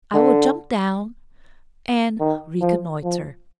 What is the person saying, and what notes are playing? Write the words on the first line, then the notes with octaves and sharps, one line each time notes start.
I will jump down and reconnoitre.
D3
D#3
F3
F3